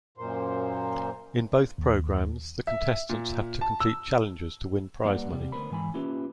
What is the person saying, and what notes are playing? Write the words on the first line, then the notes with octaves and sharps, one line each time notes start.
In both programmes the contestants have to complete challenges to win prize money.
F#2 A#2 A#3 C5
D#2
E5
A#2
A5
E6
G3 A#3 G4 B4 D5 F#5
C3 G3
D2 A#2 B3 A#4 C5 B5
G#2 E3 G#5 B5
A#3 C#4 E4 F4 G4 B4